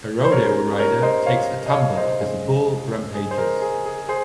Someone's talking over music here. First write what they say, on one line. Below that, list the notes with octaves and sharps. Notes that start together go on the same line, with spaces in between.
A rodeo rider takes a tumble as a bull rampages.
C5
G#2 G3 C#4 A#4 C#5
A#4 C#5
C5 D#5
C#5 F5
D#5
C#5 F5
C5 D#5
F2 C#3 G#3 C#4
G#4
C5
A#4
G#4
G#4
G#4 C5